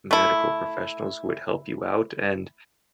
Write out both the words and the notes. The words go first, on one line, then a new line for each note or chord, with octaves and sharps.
medical professionals who would help you out, and
A3 E4